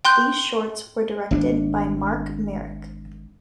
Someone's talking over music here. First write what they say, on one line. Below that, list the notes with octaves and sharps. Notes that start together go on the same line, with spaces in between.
These shorts were directed by Mark Marek.
G5 C6 F#6 G6
G#1 C4 D4